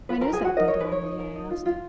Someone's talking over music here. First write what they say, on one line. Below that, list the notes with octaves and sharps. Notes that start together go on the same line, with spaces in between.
"When is that deadline?" Lea asked.
F4 B4 B5
A#4 B4 A#5
G#4 G#5
F4
F#4 F#5
D#4 A#4 D#5
D#4 C#5
B4
A#4 C#5
D#4
A#4
D#4
F4
F4